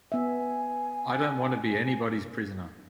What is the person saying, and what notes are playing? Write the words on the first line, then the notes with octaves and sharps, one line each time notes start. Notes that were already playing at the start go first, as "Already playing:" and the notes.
I don’t want to be anybody’s prisoner.
B3 E5 G#5